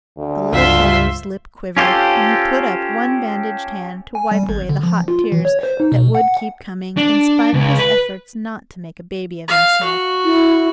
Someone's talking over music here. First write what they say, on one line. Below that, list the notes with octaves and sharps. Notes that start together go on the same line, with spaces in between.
The little fellow's lip quivered, and he put up one bandaged hand to wipe away the hot tears that would keep coming, in spite of his efforts not to make a baby of himself.
D2
C#2 G2 F4 C5 E5 C6
C#4 F4 G4 A4 C5
G#5
G3
G#1
D3
F3
F4
E3
C#5
C5
D#4
B2
F#5
D4
C#2
B4
F5
F#4
E4